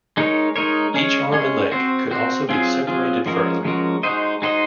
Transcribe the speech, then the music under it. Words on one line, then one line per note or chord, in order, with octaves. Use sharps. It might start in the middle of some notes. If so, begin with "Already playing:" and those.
Each arm and leg could also be separated further.
G#3 D#4 A#4 C#5
G#3 D#4 A#4 C#5
G#3 C#4 G#4 C#5
G#3 C#4 G#4 C#5
C4 F#4 C5
C4 F#4 C5
F#3 C4 F4 G#4
F#3 C4 F4 G#4
F3 G#3 C#4 F#4 A#4
F3 G#3 C#4 F#4 A#4
G#3 D#4 F#4 C5 D#5
G#3 D#4 F#4 C5 D#5